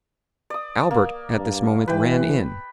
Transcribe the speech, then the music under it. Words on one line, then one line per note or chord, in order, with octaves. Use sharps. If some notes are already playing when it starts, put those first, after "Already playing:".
Albert at this moment ran in.
D5 D#6
A#3
G2
E3 B4 G5